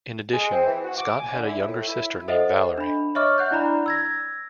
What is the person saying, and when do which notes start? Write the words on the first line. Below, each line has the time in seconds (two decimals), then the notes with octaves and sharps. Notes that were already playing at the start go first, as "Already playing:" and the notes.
In addition, Scott had a younger sister named Valerie.
0.33 G#3
0.51 C4
0.66 E3
0.83 F#4
0.98 D6
1.19 G#5
1.33 D3
1.46 E4
1.68 A2
1.87 E4
2.28 A4 C5 D#5 E5 F#5
2.78 D4 B5
3.15 C#5 D#5 E5 C#6 D6 F6
3.38 E5 F#5 F#6 G6
3.51 D4 E4 D5 A#5 B5
3.86 E6 G#6 A#6